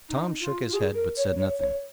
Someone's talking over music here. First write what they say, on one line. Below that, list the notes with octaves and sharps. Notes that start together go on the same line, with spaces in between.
Tom shook his head, but said nothing.
D#4
F4
F4
G#4
A#4
C#5
C#5
C#5